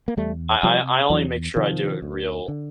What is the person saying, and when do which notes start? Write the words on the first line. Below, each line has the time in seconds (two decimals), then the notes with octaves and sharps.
I I I only make sure I do it in real,
0.08 A#3
0.17 E2 G3 A3
0.63 C3 F3 G3
1.10 E2 E3 F#3
1.56 C3 D#3 F3
2.02 D2
2.48 D3